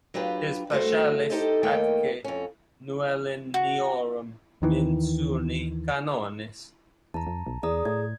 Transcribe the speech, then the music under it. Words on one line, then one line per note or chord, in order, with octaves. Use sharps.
His Paschales atque nouiluniorum mensurni canones.
F#3 D4 F4 G4 B4
G2 A3 F#4 C5
D#4 G4 A4 C5 D#5
D#2 D#3 A3 A#3 D#5 G5
F2 C#4
F#4
D#2 D#3 E3
E2 A5 A#5
F2
B1
E2 G#4 D5 A#5 D#6
A2 G#6